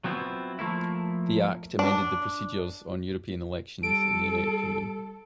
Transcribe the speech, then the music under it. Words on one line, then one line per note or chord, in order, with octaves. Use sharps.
The Act amended the procedures on European elections in the United Kingdom.
F#3 B3 C4 E4 F4
F3 A3 A#3 E4
D4
G3 A4 D7